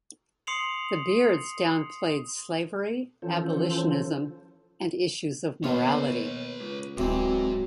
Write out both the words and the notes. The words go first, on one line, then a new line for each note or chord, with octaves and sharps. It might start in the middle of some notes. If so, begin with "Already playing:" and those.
The Beards downplayed slavery, abolitionism, and issues of morality.
C6 D#6 C7 C#7 F7 F#7
E3 F3 C#4 F4 A4 C5
D#2 B3 F4 B4 C#5 B5
C#2
D1 G#2 C3 E3 F#3 G#3 C4